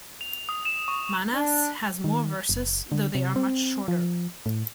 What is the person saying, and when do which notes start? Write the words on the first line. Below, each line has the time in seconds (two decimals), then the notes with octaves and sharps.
Manas has more verses, though they are much shorter.
0.21 F7
0.49 D#6
0.65 E7
0.88 C#6
1.33 D4
2.04 D#3
2.49 F#1
2.92 D3
3.15 C3
3.36 C4
3.88 F3
4.46 A2